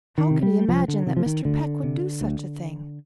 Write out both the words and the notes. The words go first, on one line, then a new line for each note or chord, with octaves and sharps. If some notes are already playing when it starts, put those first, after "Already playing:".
"How could he imagine that Mr. Peck would do such a thing?"
D#3
C3
G3
C2 F3
D3
C3 D#3
F3
D#3
D2 D3
C3
D2